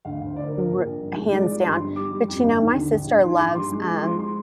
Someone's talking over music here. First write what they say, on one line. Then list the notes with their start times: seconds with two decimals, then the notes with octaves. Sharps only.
r hands down but, you know, my sister loves, um,
0.05 D2 F5
0.21 D2
0.26 C5
0.36 D3 D5
0.47 A#4
0.52 D3
0.58 A#4
0.69 A#2
0.85 A#1
1.01 G1
1.16 G#3
1.32 G#3 D5
1.48 F3
1.64 G2 C6
1.79 G1
1.96 G3 D6
2.12 G3
2.28 F2
2.44 G1
2.59 D#2
2.76 D3
2.91 A#1
3.07 A#1
3.23 D#3 C6
3.39 A#1 D6
3.55 G2 C6
3.72 G#3
3.87 F3 D6
4.03 G#3 C6
4.19 C6